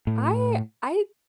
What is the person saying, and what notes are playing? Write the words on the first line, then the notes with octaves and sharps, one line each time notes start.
I I
A2